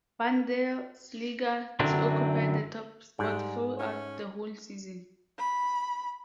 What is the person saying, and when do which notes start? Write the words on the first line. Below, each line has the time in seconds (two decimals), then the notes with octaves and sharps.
Bundesliga to occupy the top spot throughout the whole season.
1.80 F#2 D3 E3 F#3 C4 D4
3.19 G#2 G3
3.79 C#4
5.38 B5